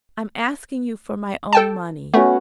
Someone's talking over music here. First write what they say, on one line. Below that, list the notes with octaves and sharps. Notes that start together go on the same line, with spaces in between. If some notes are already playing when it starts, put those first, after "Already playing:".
'I'm asking you for my own money.
A4 G5 A5
A3 B3 C#4 F#4